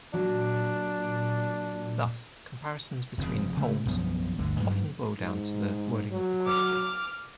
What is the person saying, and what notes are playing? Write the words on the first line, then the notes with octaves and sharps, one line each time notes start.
Thus comparisons between polls often boil down to the wording of the question.
A#2 F#3 D4
F1 F#2 A2 C#3
C#3 A3
B1 F#2 F3 B3
G1 D2 D3
G2 F#3 A#3
G#2
F#3
D6 F6